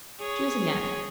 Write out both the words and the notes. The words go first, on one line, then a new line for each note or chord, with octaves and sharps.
Choose again.'
G#4 C#5